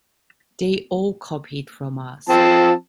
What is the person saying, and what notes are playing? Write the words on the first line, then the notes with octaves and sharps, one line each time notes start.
They all copied from us.
F3 C4 A5